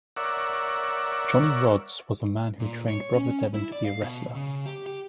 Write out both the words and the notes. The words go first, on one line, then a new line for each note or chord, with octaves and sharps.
Johnny Rodz was the man who trained Brother Devon to be a wrestler.
A#4 C#5 D5 E5 F#5
A#2
C#5
C#4
E4
D5
F5
B2
C#3
G4
G4